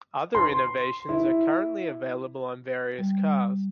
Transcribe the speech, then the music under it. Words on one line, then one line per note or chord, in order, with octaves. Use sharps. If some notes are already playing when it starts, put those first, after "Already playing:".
Other innovations are currently available on various cars.
C6
E4
G3